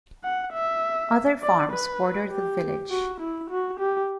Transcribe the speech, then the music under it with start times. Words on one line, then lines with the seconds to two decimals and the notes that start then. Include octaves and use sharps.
Other farms border the village.
0.24 F#5
0.53 E5
1.43 D5
1.72 B4
2.31 G4
2.91 F#4
3.20 E4
3.50 F#4
3.79 G4